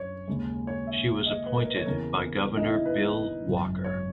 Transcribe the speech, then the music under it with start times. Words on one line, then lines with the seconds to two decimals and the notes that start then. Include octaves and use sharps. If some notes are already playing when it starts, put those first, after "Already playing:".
She was appointed by Governor Bill Walker.
Already playing: F#2 C#4 C#5
0.28 D#2 C#3 G#3
0.67 C#5
0.87 E5
1.26 D#5
1.46 B4
1.56 A#4
1.66 B4
1.76 C#5
1.86 E2 C#3 E3 A#4
2.57 D#4
2.66 E4
2.85 B4
3.44 G#1 F#2 C#3 F#3
3.84 C#5